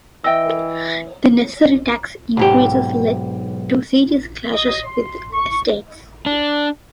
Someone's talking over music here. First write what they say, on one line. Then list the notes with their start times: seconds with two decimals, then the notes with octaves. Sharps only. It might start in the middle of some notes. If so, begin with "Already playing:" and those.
The necessary tax increases led to serious clashes with the estates.
0.24 E3 D#5 E5 G5 E6
2.37 B1 G#2 G4
4.53 D#5
4.84 C6
5.31 C#6
6.26 D4